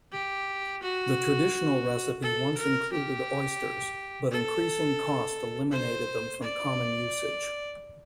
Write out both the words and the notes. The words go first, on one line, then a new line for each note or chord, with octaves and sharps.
The traditional recipe once included oysters, but increasing cost eliminated them from common usage.
G4
F#4
A4
A#4
G4
A4
C5
D5